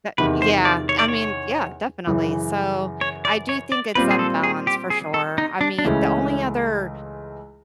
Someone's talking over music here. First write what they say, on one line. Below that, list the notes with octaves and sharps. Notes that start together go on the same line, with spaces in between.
That yeah. I mean, yeah, definitely, so, I do think it's unbalanced, for sure. I mean, the only other
E2 C3 D#3 B4
C5
D5
C#5
D5
C#5
F#2 C#3 E3
C#5
D5
C#5
D5
A#2 G3 C4 F4 B4
G#4
A4
G#4
G4
G#4
A4
D#4
D4
D4
C#2 C#3 E3 A3 C#4